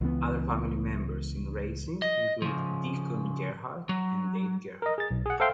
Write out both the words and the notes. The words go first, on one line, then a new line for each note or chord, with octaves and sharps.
Other family members in racing include Deacon Gerhart and Dave Gerhart.
C#2 E3 G3 B3
D#5
C#3 F3
F#3
A#4 D#5
G#4 A6
B1
G#4 F#5
A4 C5 E5 F5 G5 C6